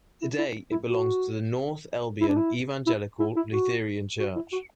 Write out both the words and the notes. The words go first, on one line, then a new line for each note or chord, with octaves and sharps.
Today it belongs to the North Elbian Evangelical Lutheran Church.
E4
E4
E4
F#4
E4
D4
E4
E4
E4
E4
F#4
F#4
E4
F#4